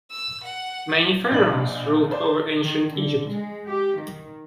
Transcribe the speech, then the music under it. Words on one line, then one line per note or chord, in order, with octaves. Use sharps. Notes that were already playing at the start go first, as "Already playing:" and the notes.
Many pharaohs ruled over ancient Egypt.
E6
F#5
A#1 D4 D#5 B5 F#7
B4 C5 D5
D#3
D3
G#3
G4
D#3